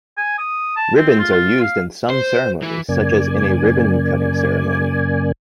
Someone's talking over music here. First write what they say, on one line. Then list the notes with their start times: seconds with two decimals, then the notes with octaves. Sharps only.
Ribbons are used in some ceremonies, such as in a ribbon cutting ceremony.
0.17 G#5
0.38 D#6
0.77 A5
0.96 C4
1.19 F4
1.32 F4
1.61 F5
2.10 C5
2.62 E3
2.89 F#2 C#3 A#3 D5 G#5